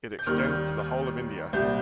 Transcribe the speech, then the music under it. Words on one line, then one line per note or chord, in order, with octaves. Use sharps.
It extends to the whole of India.
G6
D#2 D#3 G3 F6
C2 A#2 G3 G6